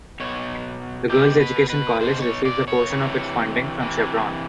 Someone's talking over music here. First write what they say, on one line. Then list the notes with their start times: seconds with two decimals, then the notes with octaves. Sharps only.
The Girls Education College receives a portion of its funding from Chevron.
0.20 B2 C#5
1.09 B2 G4
1.40 B4
1.70 B4
1.99 B2 C5
2.22 C#5
2.45 D5
2.68 C#5
2.90 C3 E3
3.80 C3 E3